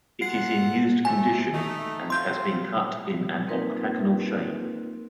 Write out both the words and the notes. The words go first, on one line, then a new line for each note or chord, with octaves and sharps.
It is in used condition and has been cut in an octagonal shape.
F4 A4 F#5 C7
C3 A3 G#5
A3 D#4
F#3 C4 F4 C6 G6
A#3 C4 D#4 F4 A#4 B4